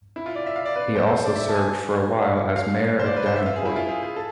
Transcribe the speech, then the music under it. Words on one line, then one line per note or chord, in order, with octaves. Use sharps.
He also served for a while as mayor of Davenport.
E4
F4
D5
E5
F5
D5
B4
C5
A4
C5
D5
E5
A5
G#5
F5
C5
D5
B4
C5
E5
F5
G#4
E4
F4
G#4
G#4
A4